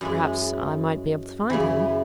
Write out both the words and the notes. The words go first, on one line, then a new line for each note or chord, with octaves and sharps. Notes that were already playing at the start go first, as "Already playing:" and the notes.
Perhaps I might be able to find him.'
F#2 E3 G#3
F#2 C#3 E3